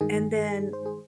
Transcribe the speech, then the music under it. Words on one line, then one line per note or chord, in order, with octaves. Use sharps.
and then
G2 D#3 G#3 G#4
C5
G#4